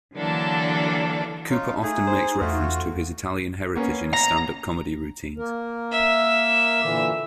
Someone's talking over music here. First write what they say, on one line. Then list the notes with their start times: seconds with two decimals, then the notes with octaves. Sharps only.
Cooper often makes reference to his Italian heritage in his stand up comedy routines.
0.16 D3 E3 F#3 A#3 D4 A4
1.50 C#4 D#4 F4
1.83 A3 D#4 G#4
2.07 C5
2.41 E2 A3 F4 F#4
3.75 A#3 B3 C#4
4.14 A#5
5.38 A#3 A#4
5.92 E5
6.81 A#2 D3 E3